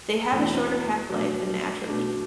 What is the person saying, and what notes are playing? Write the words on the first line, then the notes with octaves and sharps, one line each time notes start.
They have a shorter half-life than atropine.
E2 B2 A3 C4 E4
B2 A3 D4
B2 A3 D4